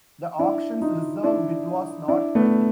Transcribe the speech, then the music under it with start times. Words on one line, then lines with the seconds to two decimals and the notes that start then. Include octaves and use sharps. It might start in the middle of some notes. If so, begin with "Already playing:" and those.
The auction's reserve bid was not met.
0.39 D4 E4
0.82 D#4 F4
1.23 D4 E4
2.08 D4 E4
2.35 A3 B3